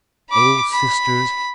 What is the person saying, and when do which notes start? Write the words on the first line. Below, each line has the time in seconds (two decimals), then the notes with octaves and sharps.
Oh! sisters!
0.30 B5 D6
0.72 B5